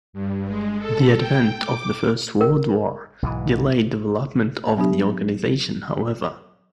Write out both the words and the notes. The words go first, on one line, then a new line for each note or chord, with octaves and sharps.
The advent of the First World War delayed development of the organisation, however.
G2
G#3
A4
G5
D6
A#4
B1 G#2 E3
F#3 B3 D4 G4